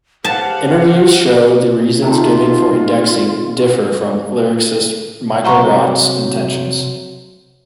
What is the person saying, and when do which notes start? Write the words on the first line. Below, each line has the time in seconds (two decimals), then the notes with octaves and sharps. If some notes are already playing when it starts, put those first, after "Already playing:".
Interviews show the reasons giving for indexing differ from lyricist Michael Roth's intentions.
0.25 G4 C5 F5 F#5 A5
2.02 C3 D#3 A3 F4
5.45 C3 F#3 C5 F#5 A#5 C#6